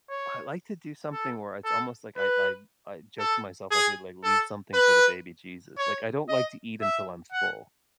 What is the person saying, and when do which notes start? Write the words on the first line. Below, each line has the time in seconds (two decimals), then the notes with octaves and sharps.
I like to do something where it's almost like I I I joke to myself, I said, like, "Leave something for the baby Jesus." Like, I don't like to eat until I'm full.
0.10 C#5
1.12 A4
1.64 A4
2.17 B4
3.19 A4
3.71 G#4
4.23 A4
4.74 B4
5.78 C#5
6.29 D#5
6.81 E5
7.32 F#5